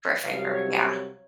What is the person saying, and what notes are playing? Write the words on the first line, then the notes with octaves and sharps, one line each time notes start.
For a favor, yeah.
C2 C3 F#3 F5
F5
C#5